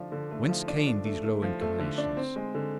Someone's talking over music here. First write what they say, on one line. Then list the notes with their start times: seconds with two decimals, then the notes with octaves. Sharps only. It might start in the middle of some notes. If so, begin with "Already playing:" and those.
Whence came these low inclinations?
Already playing: D3 F3 D4
0.12 D3
0.31 A3
0.49 F3
0.68 D4
0.87 D4
1.05 A3
1.24 A3
1.42 F3
1.61 A3
1.79 D3
1.98 D4
2.17 C4
2.36 G#3
2.54 D3